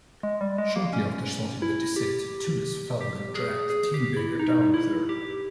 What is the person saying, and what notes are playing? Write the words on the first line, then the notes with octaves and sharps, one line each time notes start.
Shortly after starting their descent, Tullis fell and dragged Diemberger down with her.
G#3
G3
G#3
A#3
C#4
E4
G4
G4
G#4
G#4
G4
E4
D#4
E4
G4